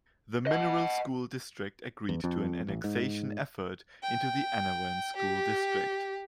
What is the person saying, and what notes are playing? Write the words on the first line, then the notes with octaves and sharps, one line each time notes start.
The Mineral School District agreed to an annexation effort into the Annawan School District.
D#5 F#5
E2
F2
A1
G#2
G5
G4